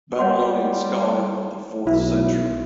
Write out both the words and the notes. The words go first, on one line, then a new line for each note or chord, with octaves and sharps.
Babylonian scholar of the fourth century.
G3 C#5 F#5 C6
B1 E4